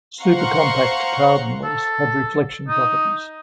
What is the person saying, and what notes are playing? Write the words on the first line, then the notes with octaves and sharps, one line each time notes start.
Supercompact cardinals have reflection properties.
C5 F5 F#5 A#5 C6 C#6
A4
D#4